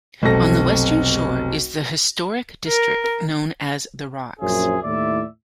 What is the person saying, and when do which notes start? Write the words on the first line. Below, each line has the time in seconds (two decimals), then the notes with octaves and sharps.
On the western shore is the historic district known as The Rocks.
0.22 F1 B1 C4 A4 A#6
2.68 A#4
4.40 A#1 F#2 C#4 G#4 C5 E5
4.83 D#2 A2 E4 D5 E5